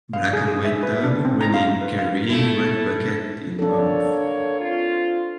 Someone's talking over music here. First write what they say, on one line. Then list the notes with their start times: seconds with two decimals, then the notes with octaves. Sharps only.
Black and white dog running carrying red bucket in mouth.
0.13 F5
0.33 G#4
0.48 G#4
0.65 E5
0.83 B4
1.03 D4
1.25 C4
1.41 A#5
1.54 F5
1.81 B4
1.99 F5
2.29 A3 E4
3.59 D3 A#3 D4 A4 C#5
4.61 C4 F4